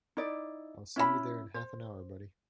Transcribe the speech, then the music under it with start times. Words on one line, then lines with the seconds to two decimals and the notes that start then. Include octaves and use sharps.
I'll see you there in half an hour buddy.
0.17 D#4 E4 D5
0.96 C#4 E4 D#5 B5
1.54 C5